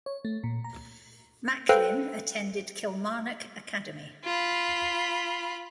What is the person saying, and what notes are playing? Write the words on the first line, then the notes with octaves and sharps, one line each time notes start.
Macklin attended Kilmarnock Academy.
C#5
A3
A#2
A#5
A4 B4 C5 F5 G5
F4 B5